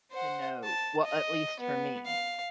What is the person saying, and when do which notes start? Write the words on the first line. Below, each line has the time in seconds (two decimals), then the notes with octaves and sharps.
to know well, at least for me.
0.12 C5 F#5
0.64 A5
1.05 D#5
1.60 B3
2.06 F5